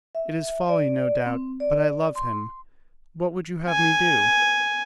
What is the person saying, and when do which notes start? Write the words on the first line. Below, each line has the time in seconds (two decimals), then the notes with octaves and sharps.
It is folly no doubt, but I love him. What would you have me do?
0.15 E5
0.69 D5
1.26 C4
1.60 D5
2.16 C6
3.69 G#5